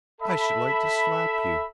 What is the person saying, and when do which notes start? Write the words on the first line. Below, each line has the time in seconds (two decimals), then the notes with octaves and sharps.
"I should like to slap you."
0.20 A4 E5 B5